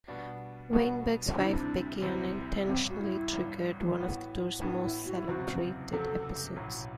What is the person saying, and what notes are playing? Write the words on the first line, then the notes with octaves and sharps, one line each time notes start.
Weinberg's wife Becky unintentionally triggered one of the tour's most celebrated episodes.
B2 G3 B3 D4 F#4
B2 G3 B3 D4 F#4
D2 C3 E3 G3 C4 D4
E4
D4
D2 C3 E3 G3 C4
A1 G2 D3 C4
F#4
E4
A1 G2 D3
A2 E3 B3 F#4
A2 E3 B3 D4 F#4
E4
F#4
E4
F#1 E2 C3 F#3 C4 F#4
F#1 E2 C3 F#3 C4 A4
B1 A2 F#3